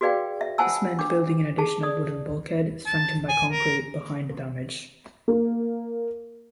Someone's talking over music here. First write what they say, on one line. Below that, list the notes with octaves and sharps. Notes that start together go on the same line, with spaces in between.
This meant building an additional wooden bulkhead, strengthened by concrete, behind the damage.
F#4 G#4 B4 D5 F5 G5
E5
F4 C5 F#5 G#5 A5 E6
D4 D6
G#4 A5
D5 D#6
A5
G#5
A#4
A#3